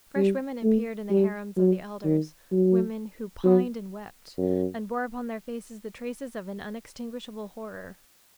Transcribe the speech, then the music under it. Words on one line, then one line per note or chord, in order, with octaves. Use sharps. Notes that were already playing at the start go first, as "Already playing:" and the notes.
Fresh women appeared in the harems of the Elders--women who pined and wept, and bore upon their faces the traces of an unextinguishable horror.
G3
A3
G3
F#3
D#3
F#3
F#3
F#2